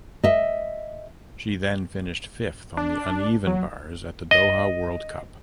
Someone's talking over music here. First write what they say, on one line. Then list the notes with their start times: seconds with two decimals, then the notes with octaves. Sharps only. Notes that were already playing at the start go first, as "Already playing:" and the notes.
She then finished fifth on the uneven bars at the Doha World Cup.
0.24 D#5 E5
2.77 D4
3.47 F#3
4.31 D#5